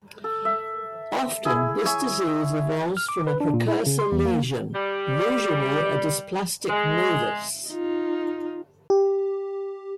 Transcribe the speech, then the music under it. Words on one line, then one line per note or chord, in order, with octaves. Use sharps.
Often, this disease evolves from a precursor lesion, usually a dysplastic nevus.
A4
E5
E4 G#4
C#5 E5 G#5 C#6
F6
D6
B4
D4
A#2
E4
C#3
C6
E2
A#3
G3
G#3
D#4 F4
G4